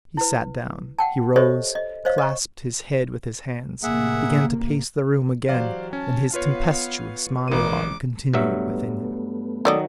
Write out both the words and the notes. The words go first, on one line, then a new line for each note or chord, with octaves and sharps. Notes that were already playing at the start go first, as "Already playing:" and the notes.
He sat down, he rose, clasped his head with his hands, began to pace the room again, and his tempestuous monologue continued within him.
E4 B4
F#5 G5 A5
G4 A4 C5 C#5 D#5 E5
D#5
C5 C#5 D#5 F5
D#5 C#6
A1 C3 A#3 G#4 E5 F#5
E3 F#3 G4 C5 D5 F5
C#4 A5
B3 F4 B4 C#5 F5
A1 G#3 A#3 D6 D#7
G2 F#3 A3 B3 E5
D#3 F#3 A4 D5 D#5